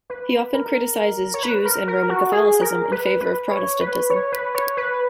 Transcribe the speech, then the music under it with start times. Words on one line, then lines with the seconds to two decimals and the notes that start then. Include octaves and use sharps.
He often criticizes Jews and Roman Catholicism in favor of Protestantism.
0.10 B4
0.54 A#4
1.34 C#5
1.43 B4
1.65 A#4
1.88 A#4
2.10 F#4
2.32 G#4
2.61 A#4
2.92 B4
3.21 B4
3.51 C#5
3.81 B4
4.10 C#5
4.32 B4
4.55 C#5
4.77 B4